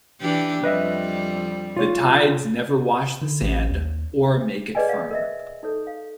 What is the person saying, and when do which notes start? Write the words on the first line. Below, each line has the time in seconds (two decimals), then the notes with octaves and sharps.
The tides never wash the sand or make it firm.
0.21 E3 D4 G4
0.64 F2 G3 B4 D#5 E5
1.77 F4 C#5
3.22 D3
3.42 A1
3.70 D#2
4.75 G#4 B4 D5 D#5 G5 G#5
4.88 C#5 D5 F5 F#5
5.11 A#4 D#5 E5
5.63 D#4 A4 C#5
5.87 F5